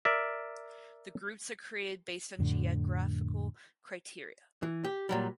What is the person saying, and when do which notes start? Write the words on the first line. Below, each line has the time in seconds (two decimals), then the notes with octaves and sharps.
The groups are created based on geographical criteria.
0.05 A#4 D5 E5
2.39 F2 A2 D3
4.63 E3
4.84 G4
5.09 A#2 F#3 G3